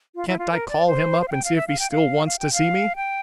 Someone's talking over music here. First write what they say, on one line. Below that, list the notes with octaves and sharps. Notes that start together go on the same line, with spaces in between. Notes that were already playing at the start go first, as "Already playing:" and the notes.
"Can't I call him up and see if he still wants to see me?"
F4
E4
F4
A#4
D5
C5
C5
F5
G5
F5
E5
F5
G5
F5
F5
G5
F5
G5